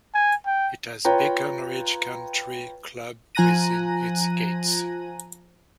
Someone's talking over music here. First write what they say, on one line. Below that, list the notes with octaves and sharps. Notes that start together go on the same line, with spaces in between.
It has Beacon Ridge Country Club within its gates.
G#5
G5
F4 B4 C#5 G5 A#5
F3 G#5 A#5 F#6 A#6 D#7